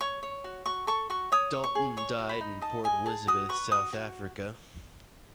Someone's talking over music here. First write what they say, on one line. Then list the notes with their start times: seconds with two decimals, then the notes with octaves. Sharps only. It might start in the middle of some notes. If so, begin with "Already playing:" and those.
Dalton died in Port Elizabeth, South Africa.
0.01 C#5 C#6
0.23 C#5
0.44 F#4
0.66 F#4 C#6
0.87 A4 C#6
1.10 F#4 C#6
1.32 C#5 D#6
1.53 C#5
1.64 C#6
1.75 G#4
1.97 C#5 C#6
2.19 F#4
2.29 B5
2.41 D#4
2.61 D#5 A5
2.84 D#5 G#5
3.06 G#4 A5
3.27 F#4 D#6
3.49 B4 C#6
3.71 F#4 D#6
3.93 F#4